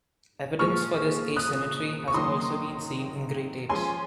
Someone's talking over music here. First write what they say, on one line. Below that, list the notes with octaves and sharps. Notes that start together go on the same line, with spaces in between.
Evidence for this asymmetry has also been seen in great apes.
A#2 F3 G#3 C#6 F6
D#6 F#6
C#6
D#3 F#3 A#3 C6 D#6
F3 G#3 C#4 G#5 C6